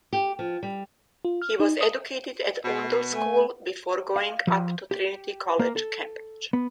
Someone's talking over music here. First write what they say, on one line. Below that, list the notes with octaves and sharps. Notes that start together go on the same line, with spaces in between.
He was educated at Oundle School before going up to Trinity College, Cambridge.
G4
F3
G3
F4
F6
D#4
D#6
B2
A3 G#5
F5
F3
G4
A#3
A4
B3